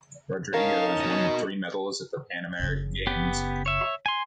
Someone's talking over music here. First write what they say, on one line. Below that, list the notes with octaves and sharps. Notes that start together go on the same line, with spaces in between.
Rodrigo has won three medals at the Pan American Games.
C#4 D#4 A#4 C#5 F5 A5
F#4 D#5
F#1 C#3
B3 G4
C#5 E5
G#5 C6